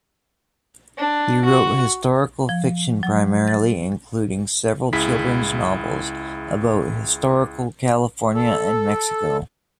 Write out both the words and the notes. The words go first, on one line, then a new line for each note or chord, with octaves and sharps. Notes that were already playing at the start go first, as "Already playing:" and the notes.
He wrote historical fiction, primarily, including several children's novels about historical California and Mexico.
D4
F#4
F3
F#3
A6
C#2 E4 G#4 B6
A4